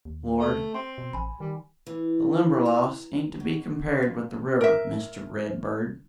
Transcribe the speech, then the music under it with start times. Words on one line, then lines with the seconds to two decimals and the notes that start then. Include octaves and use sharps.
Lord! the Limberlost ain't to be compared with the river, Mr. Redbird.
0.05 D#2
0.40 A3
0.74 C4 C6
0.98 B2
1.13 A1 G#5 B5
1.40 D#3 G3
1.87 E3
2.66 A#5
3.40 B2
4.03 A#2
4.61 A#4 E5